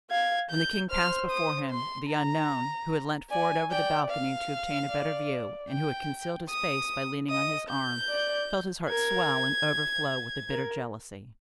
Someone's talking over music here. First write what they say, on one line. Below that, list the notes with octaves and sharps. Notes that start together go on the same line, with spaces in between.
When the king passed before him, the unknown, who had leant forward over the balcony to obtain a better view, and who had concealed his face by leaning on his arm, felt his heart swell and overflow with a bitter jealousy.
F5 G#6
G6
C5 F6
D#6
C6
A#5
D5 G#5
D5 G5
F5
D5
G5
D#6
D#5 D#6
G6
D5
A#4 G#6
A#4